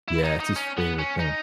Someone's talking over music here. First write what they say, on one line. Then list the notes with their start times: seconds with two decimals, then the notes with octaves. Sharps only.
Yeah, it's his favorite thing.
0.08 E4
0.24 D#4
0.40 D#4
0.56 C#4
0.77 B3
0.99 C#4
1.20 D#4